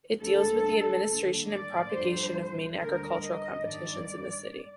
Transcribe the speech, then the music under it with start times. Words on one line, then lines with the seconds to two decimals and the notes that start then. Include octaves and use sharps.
It deals with the administration and propagation of main architectural competitions in the city.
0.20 D2 D3 G3 A4
1.06 D#2 D3 G3
1.49 D5
1.92 F2 D3 G3 C5
2.77 D2 D3 G3 A#4
3.20 D#5
3.63 G2 D#3 G3 D5